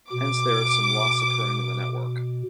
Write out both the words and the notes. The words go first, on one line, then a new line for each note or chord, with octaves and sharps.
Hence, there is some loss occurring in the network.
B2 D6